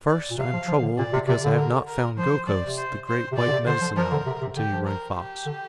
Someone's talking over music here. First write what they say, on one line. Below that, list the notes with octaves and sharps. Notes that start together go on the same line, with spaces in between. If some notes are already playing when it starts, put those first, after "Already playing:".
"First I am troubled because I have not found Gokhos, the great white Medicine Owl," continued Running Fox.
D5
A#2
C3 F5
F3
F3
D3
A#2 D5
C3
C3 D5
D3
A#4
A#4
F3 C5
F3 D5
C3
C5
C5
C3
A#2 D5
D3
C3
D3 C5
F3
F3 A#4
D3
C3
C3
D3 G4
F3
A#4
G4
D3